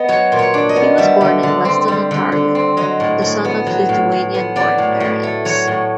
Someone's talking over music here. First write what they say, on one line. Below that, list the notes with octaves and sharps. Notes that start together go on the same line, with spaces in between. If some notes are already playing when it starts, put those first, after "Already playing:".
He was born in Weston, Ontario - the son of Lithuanian-born parents.
Already playing: B3 D#5
F#3 C#5
A#2
C#5
D4
D#5
B3
G3 E5
D3
D3
C4
G3
D3
D3
C4
F#3 D#5
A2
A2
B3
F#3
A2
A2
B3
F#3 D5
A2
A2
A3
F#3 C#5
A2